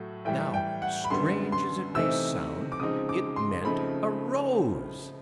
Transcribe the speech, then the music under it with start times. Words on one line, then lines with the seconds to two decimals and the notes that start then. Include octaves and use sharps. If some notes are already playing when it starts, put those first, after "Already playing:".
Now--strange as it may sound--it meant a rose!
Already playing: A2 F#3 A3
0.25 A2 E3 G3 G5
0.54 G5
0.82 F#5
1.04 B5
1.10 F#2 D3 G3 B3 C6
1.52 C6
1.94 C3 E3 A3 C4 D#4 E6
2.72 D6
2.80 C#3 F3 G#3 C4 D#4 D#6
3.09 D6
3.36 C6
3.64 C#3 F3 A3 C4 D#4 B5